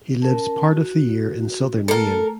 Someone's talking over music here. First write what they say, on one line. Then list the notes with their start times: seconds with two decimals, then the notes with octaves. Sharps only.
He lives part of the year in Southern Maine.
0.22 C#4 A#4 A5
0.72 F#4
1.88 A3 A4 A#4